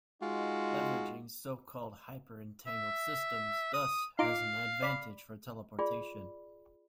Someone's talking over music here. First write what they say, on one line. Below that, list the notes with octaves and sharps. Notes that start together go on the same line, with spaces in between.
Leveraging so-called hyper-entangled systems thus has an advantage for teleportation.
G#3 D#4 F4 F#4
E5
D#6
D#4 F4 F5 D6
D5 B5
F4 G#4 D5 B5